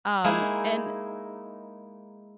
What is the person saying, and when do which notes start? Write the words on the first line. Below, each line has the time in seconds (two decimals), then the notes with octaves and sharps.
Um, and
0.24 G#3 A#3 D#4 E4